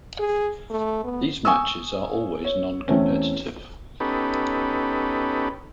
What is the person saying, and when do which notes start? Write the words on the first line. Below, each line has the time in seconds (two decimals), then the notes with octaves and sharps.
These matches are always non-competitive.
0.19 G#4
0.70 A3
1.04 B3
1.45 G#5 C#6 D#6 E6
2.44 C#5
2.88 E2 A3 C4 C#4
4.00 B3 C#4 D#4 G4 A4 B4